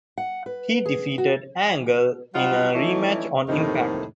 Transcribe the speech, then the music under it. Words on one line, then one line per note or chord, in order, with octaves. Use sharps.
He defeated Angle in a rematch on Impact!
F#5
B4
G#4
F#4
F#3 G3 D#4 F4 F#5
E3 A3 C#4 D#4 E4
F2 A2 C3 D#3 A#3 D#4